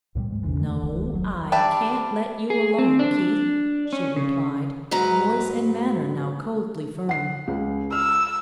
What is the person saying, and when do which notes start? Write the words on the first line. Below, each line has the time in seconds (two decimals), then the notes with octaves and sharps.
"No, I can't let you alone, Keith," she replied, voice and manner now coldly firm.
0.15 C#2 A#2 F3 G3
0.31 G#2 G#3
0.43 A1 E2 C3 E3
0.60 F#2 D#3 A3
0.83 D1 C#2 D#3
1.13 F1 F#3
1.52 G3 D4 E5 G5 A5
2.50 G#4
2.79 C4
2.99 D4
3.93 C#4
4.16 C#3
4.91 G#2 F#3 B4 A#5
7.09 F#5 C7
7.48 C#2
7.92 E6 F6